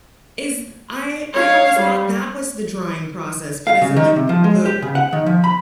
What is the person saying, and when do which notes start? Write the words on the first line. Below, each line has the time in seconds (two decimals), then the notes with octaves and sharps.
is I I always thought that was the drying process, but is it like, the
1.34 C#5 F5
1.80 G3
3.67 F5
3.81 C#3
3.96 D#3
4.16 C3
4.29 F3
4.44 G#3
4.66 G4
4.82 C#3
4.95 F#5
5.13 D#3
5.26 F3
5.44 B5